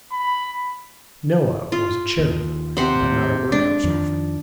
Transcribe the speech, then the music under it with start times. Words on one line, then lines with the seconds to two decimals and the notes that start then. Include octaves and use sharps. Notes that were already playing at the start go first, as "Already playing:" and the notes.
Noah was a charity-boy, but not a workhouse orphan.
0.12 B5
1.72 F4
2.19 D#2
2.77 C3 C5 F#5
3.02 D#2
3.52 G#3 D4
3.84 F2 D#3 F3